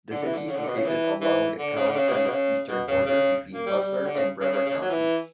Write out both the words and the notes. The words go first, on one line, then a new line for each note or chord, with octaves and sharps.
The city is located along the county's eastern border, between Butler and Bremer counties.
D3
E3
D3
C#3
D3
B2
C#3
E3
E3
D3
C#3
D3
C#3
B2
C#3
B2
C#3
B2
C#3
C#3
A#3
G3
G3
D3
C#3
C#3
C#3
C#3
F#3
E3